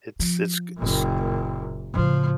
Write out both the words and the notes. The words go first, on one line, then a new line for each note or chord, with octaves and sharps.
it's it's g it's
F3
F#1 A#2
A2 C#3 F3